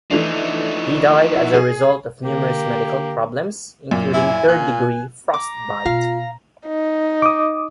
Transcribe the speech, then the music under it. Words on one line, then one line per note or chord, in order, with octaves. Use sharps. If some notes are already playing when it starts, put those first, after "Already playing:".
He died as a result of numerous medical problems, including third-degree frostbite.
E3 F3 A3 D4 D#4
E4 F#4
G#4
D3 A#3 G4
F#2 A#2
E4 G#5
A#2 F#6
A#5 D6
B2 F4 F5
D#4
D6 D#6